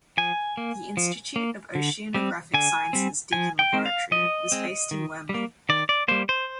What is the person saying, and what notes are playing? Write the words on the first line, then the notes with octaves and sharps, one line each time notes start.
The Institute of Oceanographic Sciences Deacon Laboratory was based in Wormley.
F3 G#5
A#3
F3
A#3
D3
G3 C4
D3 G#5
G3 C4
F3 G#5
G5
G#3 C4
F5
F3 D#5
G#3 C4
D#3
G3 A#3
D#3 D5
D5
G3 A#3 C5
C5